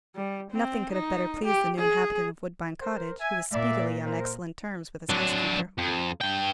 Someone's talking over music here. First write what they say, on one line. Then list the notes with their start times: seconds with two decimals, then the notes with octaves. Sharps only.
Nothing could have better pleased the new inhabitant of Woodbine Cottage, who was speedily on excellent terms with his housekeeper.
0.15 G3
0.52 C4
0.93 D#4
1.45 G4
1.79 G#4
2.81 A#4 C5
3.21 E5 G#5
3.52 A#2 D5 E5
4.06 A#4 C5
5.09 F#3 D4
5.78 F2
6.21 G2 G5